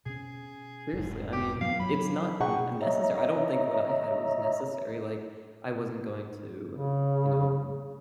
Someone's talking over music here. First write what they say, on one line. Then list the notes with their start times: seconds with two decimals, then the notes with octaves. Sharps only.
seriously, I mean, it's not n necessary, I don't think what I had was necessary, like, I wasn't going to, you know, b
0.06 B2 C#4 G#4
0.93 F1 G#2
1.33 G4
1.61 G2 F#3 B3 F5
1.80 F#3 B5
2.40 B2 G#4 F#5 G5 C#6
2.82 C#5 D#5 E5 A#5
6.72 C#3